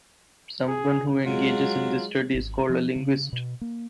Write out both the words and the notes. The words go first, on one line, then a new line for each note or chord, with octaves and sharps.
Someone who engages in this study is called a linguist.
G#4
F#3 G#3 F4
G#1
F3
C#3
B2
A#3